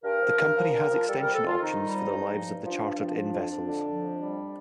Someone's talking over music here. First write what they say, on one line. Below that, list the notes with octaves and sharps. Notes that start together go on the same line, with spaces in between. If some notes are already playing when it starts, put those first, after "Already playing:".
The Company has extension options for the lives of the chartered-in vessels.
G2 A#4
F3
G2
F3
G2
F3
G3 A4
F2 A#4
A4
F2 F4
D#3 D#4
G3
F2
G2
F3
G2
F3 D4
G2
F3
F3
F2
F2
D3
F3
F2
G3